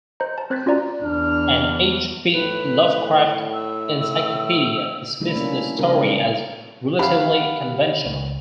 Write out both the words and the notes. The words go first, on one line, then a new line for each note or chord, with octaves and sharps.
"An H. P. Lovecraft Encyclopedia" dismisses the story as "relatively conventional".
C5 D#5 A#5
A5
C4 C5 F#6 G#6 A6 B6
C#4 F4 F#4 D5 A#5
E2 D4 F6
A2 B4
E6
C3 G3 A3 D4 E4 A4
A#3 C#4
C#3 G3 B3 D4 F4 A#4
G3 G#3
C3 G4 F5 F#5 B5
C#2